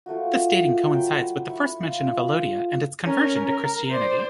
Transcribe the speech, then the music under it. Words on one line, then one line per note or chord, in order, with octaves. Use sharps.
This dating coincides with the first mention of Alodia and its conversion to Christianity.
F3 A3 A#3 F#4
F#3 G5 B5 C6
E4 C#6
F4
C#4 A#4
A#4
C5 D5